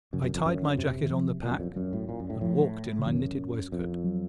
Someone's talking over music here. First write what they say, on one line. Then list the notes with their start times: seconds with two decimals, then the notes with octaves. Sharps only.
I tied my jacket on the pack, and walked in my knitted waistcoat.
0.13 F#2 C#3
0.24 F#2
0.35 F2
0.46 F#2
0.78 F2 C3
0.89 F2
1.01 D#3
1.10 F3
1.43 A#2
1.51 F#2
1.60 F2
1.76 F#2 F#3
1.93 A2
2.09 A#2
2.20 F#2
2.30 A2
2.41 A2 F3
2.99 C#3
3.06 F#2 D#3
3.72 F2
4.04 F#3